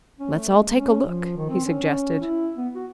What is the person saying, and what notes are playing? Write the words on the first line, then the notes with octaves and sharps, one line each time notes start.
"Let's all take a look," he suggested.
C#4
A3
G#3
C#4
F3
D#3
C4
C#4
C#4
E4
B3
F#4